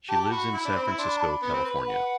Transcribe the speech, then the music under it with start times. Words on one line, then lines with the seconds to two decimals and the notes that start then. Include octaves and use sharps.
She lives in San Francisco, California.
0.09 G4 A5
0.23 A5
0.31 F#4 B5
0.54 E4
0.65 D4
0.76 C4
0.87 E4
0.98 D4 C6
1.08 B5
1.18 A5
1.28 B5
1.43 B3
1.54 C4
1.65 B4
1.76 B4
1.87 F#5